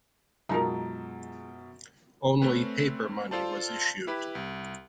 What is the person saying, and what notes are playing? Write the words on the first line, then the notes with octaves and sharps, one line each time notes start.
Only paper money was issued.
F#2 B2 G#3 D#4 F4 A4 A#4
A3 C4 C#4 B4
F4 A4 C5 D5 A5
E4 G4 B4
C2